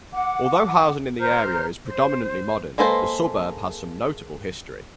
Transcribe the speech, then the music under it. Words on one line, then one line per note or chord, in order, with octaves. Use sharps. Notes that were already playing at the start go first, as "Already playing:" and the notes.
Although housing in the area is predominantly modern, the suburb has some notable history.
F#5 D6
C5 A#5 F6 G6
C5
G#3 A#3 A4 B4 C5